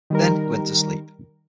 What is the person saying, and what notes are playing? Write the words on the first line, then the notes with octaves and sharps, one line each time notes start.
Then he went to sleep.
D#3 G3 A#4